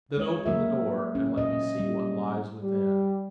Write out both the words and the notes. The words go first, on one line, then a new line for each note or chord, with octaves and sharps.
"Then open the door, and let me see what lies within."
G#3 C#5
F#3 A#3 A#4 E5
C#4
A#2 D#5
G3
G3